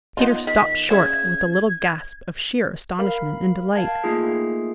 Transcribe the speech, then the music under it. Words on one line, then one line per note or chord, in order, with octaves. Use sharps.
Peter stopped short with a little gasp of sheer astonishment and delight.
B3 D#4 F4
D#3 B6
E7
C#3 C#5 E5 G#6
A#4 F5 B5
F5 G5 A5 G#6
A3 A#3 D#4 F4 G#4 C7